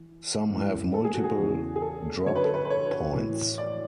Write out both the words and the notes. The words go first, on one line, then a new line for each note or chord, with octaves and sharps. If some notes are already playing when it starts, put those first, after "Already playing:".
Some have multiple drop points.
Already playing: E3
G#2 E3
A4
G#4
F#4
G#4
E2 C#3 E3
G#4
A4
F#2 D3 C#5
B4
A4
B4
B4
C#5
A2 E3
D5